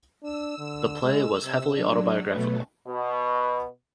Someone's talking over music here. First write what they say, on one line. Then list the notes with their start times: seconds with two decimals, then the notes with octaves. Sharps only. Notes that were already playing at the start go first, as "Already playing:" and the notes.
The play was heavily autobiographical.
0.23 D4 E6
0.58 D3
1.03 G#3
1.44 C3
1.76 F#3 D4
2.31 B2 F#3 A3 B4
2.87 B2